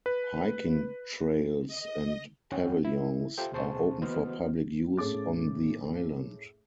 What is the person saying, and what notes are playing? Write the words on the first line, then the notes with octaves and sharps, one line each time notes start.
Hiking trails and pavilions are open for public use on the island.
B4
D#5
D#2 C#4 F#5 G5
E4
F4 G4 A4 C5 E5 G5
D2 B2 G#4 C5 A5 C#6
E3 B3 F#4 C5 D#5 F6
A2 A3 C#4 G#4 D6 A6